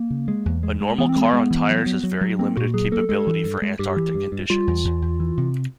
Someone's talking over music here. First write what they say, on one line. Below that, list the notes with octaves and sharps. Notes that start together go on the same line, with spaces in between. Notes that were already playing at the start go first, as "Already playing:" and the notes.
A normal car on tires has very limited capability for Antarctic conditions.
Already playing: A#3
C#3
G#3
E2
G#3
G#3
E3 B3
C4
G#3
B3
G#3
E3
F#3
F#3
F#3
F#3
A#3 C4
A#2 F#4
F#3 G#4
A#3 A4
G#3 A4
E3
G2
G#3
G2 G4
E3
G2
G2
G3 F4
E2
E2
E2
E3
C3